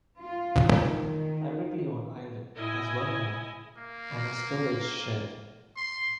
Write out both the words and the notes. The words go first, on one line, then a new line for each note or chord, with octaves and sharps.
The tiny, privately owned island has one home and a storage shed.
F4
D#3
A2 E4 D#5 G#5
A#3
C6